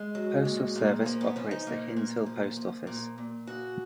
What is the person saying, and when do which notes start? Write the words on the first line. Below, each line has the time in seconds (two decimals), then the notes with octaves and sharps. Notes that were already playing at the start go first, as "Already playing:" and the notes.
Postal Service operates the Hinesville Post Office.
Already playing: G#3
0.15 F#3
0.45 A#2
0.75 A#2
1.05 F3 A#3
1.21 B3
1.36 F3 C#4
1.51 D#4
1.66 A#2 A#3
1.97 A#2
2.26 F3
2.57 F3
2.87 A#2
3.18 A#2
3.47 C#3 F#4